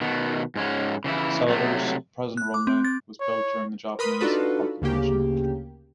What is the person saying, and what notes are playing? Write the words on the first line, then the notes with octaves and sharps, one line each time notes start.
Seletar's present runway was built during the Japanese Occupation.
B2 D#3 B3
G#2 G#3 C#4
C#3 E3 E4
C3 F#3 A3
F#6
D6
C4
A6
C#5
A#4 B4 B5 C6 D#6
D4 D#4 F4 F#4 A4 B4
D2 C#3 A#3 G4